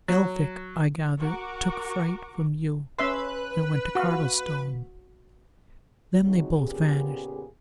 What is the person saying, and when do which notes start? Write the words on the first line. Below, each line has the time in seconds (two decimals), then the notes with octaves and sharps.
Elphick, I gather, took fright from you, and went to Cardlestone--then they both vanished.
0.08 F#3
1.20 F#4 A#4 C#6 D6
2.99 C#4 B4 E5 C6
3.95 F#4 F5
6.25 F3 F#3 G#3 C4 D#4 F#4
6.59 A#2 C#3 B3 G4 G#4